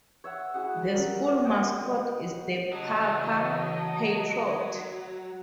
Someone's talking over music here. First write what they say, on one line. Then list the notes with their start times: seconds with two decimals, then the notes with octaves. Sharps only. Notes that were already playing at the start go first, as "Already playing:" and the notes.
The school mascot is the Parker Patriot.
0.24 C#5 E5 F#5
0.54 E4 F#4 G#4 F#5
0.94 A#4
1.45 D#5 F#5 G5
2.72 C#3 E3 F#3 D#5 A5